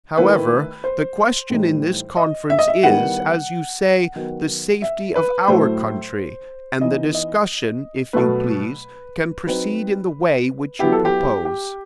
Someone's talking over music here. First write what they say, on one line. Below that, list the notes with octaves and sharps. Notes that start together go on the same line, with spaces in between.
However, the question in this conference is, as you say, the safety of our country; and the discussion, if you please, can proceed in the way which you propose.
D#3 A3 E4 B4
C5
A2 E3 G3 D#4
D#5
E5
D#5
E5
D#3 G3 B3 E4 F#5
D#3 F#3 B3
E5
B4
A2 F#3 A3 E4 C5
E3 B3 D#4 D#5
D#5
B2 F#3 A3 B4
F#3 C4 D#4 B4
F#3 B3 E4 G4
A4
G4
G4